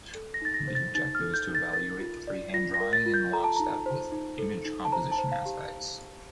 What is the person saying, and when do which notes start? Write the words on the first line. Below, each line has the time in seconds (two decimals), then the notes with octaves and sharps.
The objective is to evaluate the freehand drawing in lockstep with image composition aspects.
0.15 A4
0.34 A#6
0.42 D#4 A6
0.54 A#6
0.68 C5
0.75 A6
0.95 D#4 A6
1.15 F6
1.21 A4
1.34 G6
1.48 D#4
1.55 A6
1.73 A#4 A6
2.00 F4
2.27 D5
2.53 F4 A#6
2.74 A#6
2.80 A#4
2.93 A6
3.06 F4
3.14 G6
3.33 A4 A#5
3.44 A5
3.56 D#4 A#5
3.86 C5
4.12 D#4
4.39 A4
4.65 D#4
4.85 A5
4.92 C5 A#5
5.12 A5
5.18 C5
5.32 F5
5.46 G4